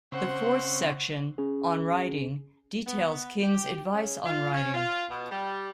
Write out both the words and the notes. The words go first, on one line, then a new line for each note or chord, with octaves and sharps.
The fourth section, "On Writing", details King's advice on writing.
C#3 C4 C5 F#5
C#4 G#4
B3
G4
C#3
F4
C#4
F4
B2
G3